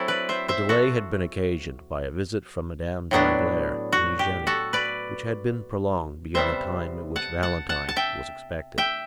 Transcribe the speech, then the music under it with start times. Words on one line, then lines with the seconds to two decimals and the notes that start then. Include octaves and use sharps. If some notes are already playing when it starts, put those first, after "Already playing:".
The delay had been occasioned by a visit from Madame Danglars and Eugenie, which had been prolonged beyond the time at which Valentine was expected.
Already playing: F#3 C4 E4 A4
0.08 B4 D5
0.29 C5 E5
0.48 C5 E5
0.69 F#4 A4
3.11 A2 F#3 B3 D4
3.92 F#4
4.19 G4
4.47 F#4 A4
4.73 B4 D5
6.35 C3 G3 B3 C5 E5
7.16 F#5 A5
7.43 F#5 A5
7.69 F#5 A5
7.89 A5
7.96 E5 G5
8.78 E5 G5